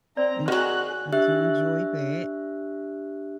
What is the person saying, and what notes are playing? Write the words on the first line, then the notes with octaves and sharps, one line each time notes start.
and s I do enjoy that.
C4 D5 A#5
D#3 F#3 F#4 G#4 F#6
D4 G4 E5 F#6